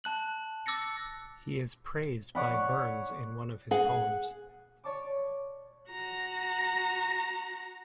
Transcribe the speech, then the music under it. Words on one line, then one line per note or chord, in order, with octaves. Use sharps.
He is praised by Burns in one of his poems.
A5 F#6 F#7
D6 E6 A6 A#6 C#7
C#5 D5 F#5 B5
G#4 F#5
C#5 D5 A5 C#6 D6
F#4 A#5